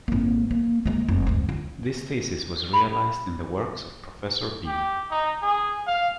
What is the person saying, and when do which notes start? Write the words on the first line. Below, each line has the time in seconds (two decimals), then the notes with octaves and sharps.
This thesis was realized in the works of Professor B.
0.08 G#1 A#3
0.51 A#3
0.86 G#3 A#3
1.08 F1
1.27 D2 G#2
1.49 C#2
2.73 B5
4.67 G4
5.11 D#4
5.42 G#4
5.87 F5